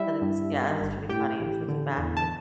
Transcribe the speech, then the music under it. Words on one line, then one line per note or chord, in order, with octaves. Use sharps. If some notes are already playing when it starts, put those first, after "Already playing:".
then it's, yeah. It was pretty funny looking back. But
Already playing: G3 E4 E5
G2
G2
G1
A2 G4 G5
A1
D3
E2
A5